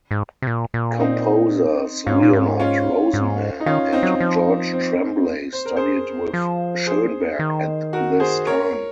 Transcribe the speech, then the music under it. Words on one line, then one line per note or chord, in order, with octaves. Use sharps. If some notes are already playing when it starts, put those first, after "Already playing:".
Composers Leonard Rosenman and George Tremblay studied with Schoenberg at this time.
G#2
C3
A#2
A#2
C4 D#4
G#2 C#4 F4
A#2
G#2
C#4 F4
G#2
D#4
D#3 C#4 F4
C4 D#4
F#3
F3
C4
C5
A#4
G#4 C5
F3
G#4 C5
D#3
F#4 A#4
G#4 C5
A#4 C#5